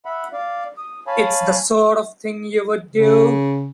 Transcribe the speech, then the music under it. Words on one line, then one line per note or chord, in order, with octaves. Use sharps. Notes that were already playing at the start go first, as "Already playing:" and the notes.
It's the sort of thing you would do.
E5 F#5 B5
D5 F5
D#6
C#5 F5 G#5 A5 B5
C#3